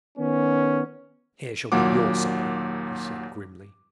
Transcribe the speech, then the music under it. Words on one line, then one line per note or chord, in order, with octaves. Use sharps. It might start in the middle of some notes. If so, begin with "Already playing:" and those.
"Here shall be your supper," he said, grimly.
D#3 B3 C#4
D#2 A#2 F#3 A#3 F#5 D6